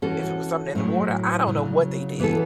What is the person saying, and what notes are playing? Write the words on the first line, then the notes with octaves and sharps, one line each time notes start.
if it was something in the water, I don't know what they did,
E3 C#4 F#4 A4
A2 F#3 A3
C#3 F#3 C#4
E3 B3 F#4 A4